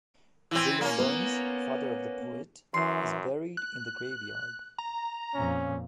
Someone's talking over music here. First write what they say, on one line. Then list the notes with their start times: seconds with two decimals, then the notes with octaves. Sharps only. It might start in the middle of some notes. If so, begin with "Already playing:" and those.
William Burnes, father of the poet, is buried in the graveyard.
0.51 E3 C4
0.81 A#3 C#4
0.99 B3
2.74 F#2 E3 C6
3.57 F#6
4.78 A#5
5.34 F2 A#2 C#4